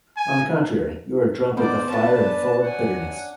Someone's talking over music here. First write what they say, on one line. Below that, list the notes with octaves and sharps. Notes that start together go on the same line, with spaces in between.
On the contrary, you are drunk with the fire and full of bitterness.
G#5
D#3 B3 C5 D5
C#4 D4 B4 A5
F#5 G#5